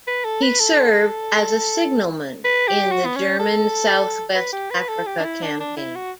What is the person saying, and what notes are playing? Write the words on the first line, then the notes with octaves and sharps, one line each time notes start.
He served as a signalman in the German South-West Africa campaign.
B4
A4
B4
A4
B4
G4
F#4
B3
C#4
A4
B4
G4
B4
A4
G4
D4
E4
D4
D4
E4
F#4